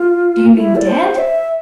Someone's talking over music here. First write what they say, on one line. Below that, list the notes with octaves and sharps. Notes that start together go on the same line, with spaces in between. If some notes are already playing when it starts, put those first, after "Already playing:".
Do you mean dead?
Already playing: F4
E4
D5
C5
E5